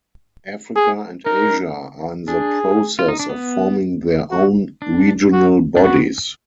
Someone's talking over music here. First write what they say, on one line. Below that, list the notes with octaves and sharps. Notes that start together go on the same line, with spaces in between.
Africa and Asia are in the process of forming their own Regional bodies.
G#4
D#4 A#4
D4 G#4
F4
D#4
D4
B3
F#4
D4
F#4
D4
B3 F#4